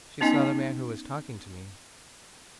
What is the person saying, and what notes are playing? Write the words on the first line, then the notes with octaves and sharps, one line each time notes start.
She saw the man who was talking to me.
B3 C#4 D#4 D#5 G#5